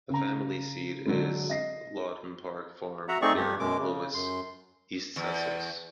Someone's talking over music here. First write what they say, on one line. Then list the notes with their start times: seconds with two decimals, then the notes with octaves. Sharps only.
The family seat is Laughton Park Farm, near Lewes, East Sussex.
0.10 C#3 A#5
1.06 D3 F#3 G#3
1.50 D#5 A#6 C7
3.09 F#4 E5 F#5 A#5
3.22 A3 C4 D#4 G#4 D5 C#6
3.36 G2 G4
3.60 F#2 B2 G#3 D6
3.79 C#3
4.14 F#2 C6
5.16 E2